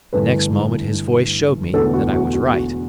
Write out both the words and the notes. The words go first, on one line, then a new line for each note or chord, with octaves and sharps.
The next moment his voice showed me that I was right.
G1 G2 E3 A3 B4
E1 E2 D3 A3 A4
F#4
F#4
F#4
F#4